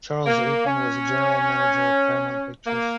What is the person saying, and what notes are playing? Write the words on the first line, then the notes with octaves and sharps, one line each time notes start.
Charles Eyton was the General Manager of Paramount Pictures.
A#3
C#4
A#3